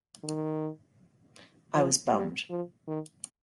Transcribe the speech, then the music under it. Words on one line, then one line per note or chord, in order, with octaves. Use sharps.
I was bummed.
D#3
F3
G3
F3
D#3